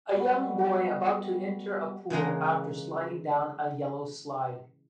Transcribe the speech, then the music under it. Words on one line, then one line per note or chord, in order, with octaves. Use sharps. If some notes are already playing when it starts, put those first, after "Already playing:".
A young boy about to enter a pool after sliding down a yellow slide.
B2 G3 F#5
C#3 E3 G#3 A#3